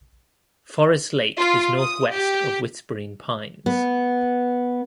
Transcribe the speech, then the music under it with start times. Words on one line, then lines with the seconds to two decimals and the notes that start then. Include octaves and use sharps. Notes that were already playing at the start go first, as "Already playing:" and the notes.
Forest Lake is northwest of Whispering Pines.
1.37 F4
1.79 D#6
2.12 G4
3.66 B3